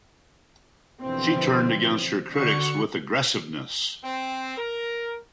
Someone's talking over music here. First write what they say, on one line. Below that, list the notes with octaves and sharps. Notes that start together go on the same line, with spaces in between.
She turned against her critics with aggressiveness.
B2 D3 E3 F3 C4
D3 F#4 C#6 C#7
C4
A#4